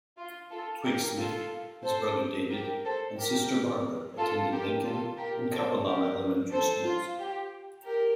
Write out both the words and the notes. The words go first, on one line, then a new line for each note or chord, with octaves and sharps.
Twigg-Smith, his brother David, and sister Barbara attended Lincoln and Kapalama elementary schools.
F4
F4 A4
G4 A#4
F4 A4
A4 C5
G4 A#4
A4 C5
G4 A#4
F4 A4
G4 A#4
F4 A4
G4 A#4
A4 C5
G4 A#4
A4 C5
F4
G4
G4 A#4